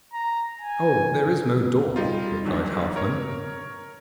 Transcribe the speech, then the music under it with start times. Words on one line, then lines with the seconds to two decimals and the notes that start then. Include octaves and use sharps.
'Oh, there is no door,' replied Halfman.
0.14 A#5
0.61 G#5
1.96 G3 D#4 F4
2.44 G1 D#2 D3 F#3 D#4
2.96 A#4 C#5